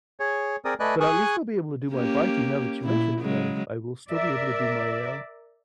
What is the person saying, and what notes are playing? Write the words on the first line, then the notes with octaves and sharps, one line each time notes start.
but, at least I'll be able to do my biking, now that you mentioned it, I I will still be able to do my, uh,
G#4 C#5
C4 G#4 A#4 D5 D#6
A3 B4 D5 D#5 G#5 F#6
G#4 G#5 C#6 D#6 F#6
A#3 C#4 G4
A#2 E4
C#3 F#3 G#3
A#4 D5 E5